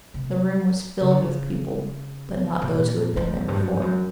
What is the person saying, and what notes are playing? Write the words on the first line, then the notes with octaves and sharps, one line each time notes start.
The room was filled with people, but not those who had been there before.
C3
C#3
D3
C#3
B2
A#2
F2
G2
F#2
F2
F#2